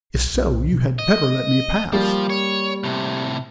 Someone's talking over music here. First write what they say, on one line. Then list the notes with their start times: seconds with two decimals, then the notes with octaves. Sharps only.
"If so, you had better let me pass."
0.14 B1
0.34 B1
0.72 B2
0.99 D#5
1.92 F3 G3 A#3 D5
2.30 C#5
2.84 A2 C3